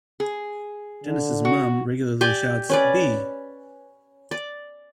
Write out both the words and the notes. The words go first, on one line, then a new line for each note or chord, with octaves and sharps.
Dennis' Mum regularly shouts; Bea!
G#4
D3
F#4
G4 D5 G5 G#5
C#4 B4 D5
D5